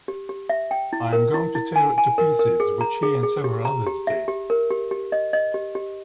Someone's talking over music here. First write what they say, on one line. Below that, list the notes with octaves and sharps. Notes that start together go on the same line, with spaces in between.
I am going to tear it to pieces.' Which he and several others did.
G4
G4
E5
G5
E4
A#4
E4
E4
G#5
G#5
A#4
A#4
G#4
A#5
G#4
G#4
G4
A#5
G4
E5
G4
A#4
G4
G4
D#5
D#5
G4
G4